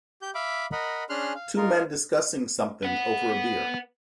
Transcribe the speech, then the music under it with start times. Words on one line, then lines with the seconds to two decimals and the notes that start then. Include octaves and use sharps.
Two men discussing something over a beer.
0.22 G4 G6
0.35 E5 F5 B5 D6
0.72 A#4 D#5 F#5 B5
1.10 C#4 D4 G#4 C6 F6 F#6
1.35 F5
1.57 D#4 F4 A#4
2.83 B4 F#5